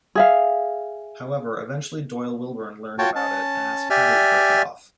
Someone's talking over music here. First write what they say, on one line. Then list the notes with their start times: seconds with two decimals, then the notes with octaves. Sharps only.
However, eventually Doyle Wilburn learned about it and asked Patty to break it off.
0.15 G#4 E5 F5
2.99 F4 F#4 C#5 G5 A5
3.15 C#4 A5
3.90 G4 D5 E5 G#5 F6